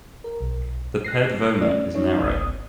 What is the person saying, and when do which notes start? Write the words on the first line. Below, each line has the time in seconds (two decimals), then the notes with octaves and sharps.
The paired vomer is narrow.
0.24 A#4
0.41 B1
1.04 F#6 A#6 C7
1.62 A3 C#4 D5
1.94 C#4 D#4 C#5
2.22 G1 C2 B3 D#6